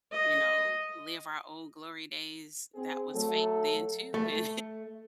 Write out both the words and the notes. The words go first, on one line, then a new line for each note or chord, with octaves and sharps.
you know, live our old glory days that was fake then too, and,
D#5
C4 G#4
F#3 A3 A4
A3